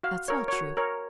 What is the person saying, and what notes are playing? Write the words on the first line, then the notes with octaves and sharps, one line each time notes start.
That's all true.
F#4 F5
A#4 C#5
F#4 C#5
A#4 C#5